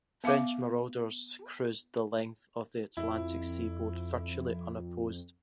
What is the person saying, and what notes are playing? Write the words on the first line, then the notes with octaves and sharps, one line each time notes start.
French marauders cruised the length of the Atlantic seaboard virtually unopposed.
B3 E5 F5 D6
F2 E4